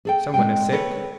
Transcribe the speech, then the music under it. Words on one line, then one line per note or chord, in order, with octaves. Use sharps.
"Someone is sick?"
G#4 A4 G5
G#3 C4 G5
G#4 A4 B4 C#5